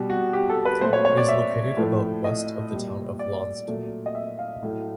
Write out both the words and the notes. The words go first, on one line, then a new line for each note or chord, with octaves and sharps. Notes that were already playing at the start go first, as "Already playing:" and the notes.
It is located about west of the town of Launceston.
Already playing: B2 G3
F#4
G4
A4
B4
A#2 F#3 A3 C5
C#5
C#5
D5
E5
A2 F3 A3
D#5
A#2 G3
D5
A#2 F#3 A3
D#5
E5
F5
A2 F#3 A3